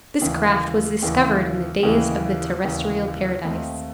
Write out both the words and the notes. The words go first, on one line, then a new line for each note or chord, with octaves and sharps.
This craft was discovered in the days of the terrestrial paradise.
D#2 C#3 E3
D#2 C#3 E3
D#2 C#3 E3
D#2 C#3 E3
D#2 D#3 A3 C4